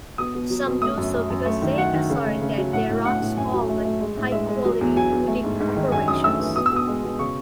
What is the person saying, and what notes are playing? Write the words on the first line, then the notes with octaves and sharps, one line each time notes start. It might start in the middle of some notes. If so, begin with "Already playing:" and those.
Some do so because they assert that they run small but high-quality "boutique" operations.
B2 D#6
B2
F#3
B2
A3 D#6
F#2
F#2
F#2
A3
D#3
F#3 F#5
D#3
C#3
A3
C#3
F#3
A2 F#5
A2
A2 F#5
A2
F#2 G#5
F#3
A3
A3
G#3
A2
G#3 E5
G#3
F#3
E2
F#3 G#5
E2
A3
G#2
G#2
D#3
F#2 G#5
F#2 D#6
A3 E6
E3
B2 D#6
E6
B2 D#6
G#3
B2
C#3 C#6